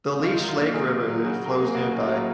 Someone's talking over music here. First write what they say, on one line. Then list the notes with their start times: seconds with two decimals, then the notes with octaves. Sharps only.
The Leech Lake River flows nearby.
0.23 D#3 F4
0.37 F4
0.40 F#3
0.49 F4
0.57 A#3
0.74 D#3 G#4
0.91 D#3
1.08 F#3
1.25 C#3 F#4
1.42 F#3 A#4
1.49 G#4
1.58 A#3
1.66 G#4
1.74 C#3 F#4
1.92 C#3
2.00 F4
2.09 F#3